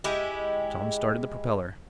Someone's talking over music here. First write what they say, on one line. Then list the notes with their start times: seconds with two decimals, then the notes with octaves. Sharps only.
Tom started the propeller.
0.04 G#3 E4 G4